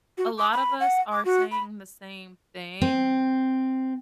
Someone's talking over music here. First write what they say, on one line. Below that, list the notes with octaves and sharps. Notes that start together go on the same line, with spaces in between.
a lot of us are saying the same thing,
F#4
D6
B5
F#5
D6
F#4
B5
C4